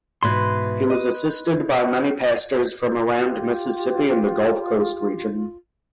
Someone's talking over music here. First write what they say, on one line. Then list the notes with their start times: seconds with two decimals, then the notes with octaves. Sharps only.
He was assisted by many pastors from around Mississippi and the Gulf Coast region.
0.23 G#2 B2 E3 B4 C6
0.90 D#5
3.18 F4 G4